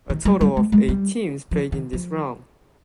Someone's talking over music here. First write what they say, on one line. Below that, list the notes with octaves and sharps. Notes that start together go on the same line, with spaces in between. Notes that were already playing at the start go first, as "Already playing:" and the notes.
A total of eight teams played in this round.
D#3
G3
G3
G#3
G#3
G3
F3
D#3
F3